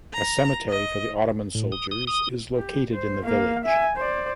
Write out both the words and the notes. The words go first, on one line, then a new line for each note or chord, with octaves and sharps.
A cemetery for the Ottoman soldiers is located in the village.
A#5
D#5
A2
D#6
D#6
D#6
G4
C5
A#3 F5
E5 G#5
C5 D5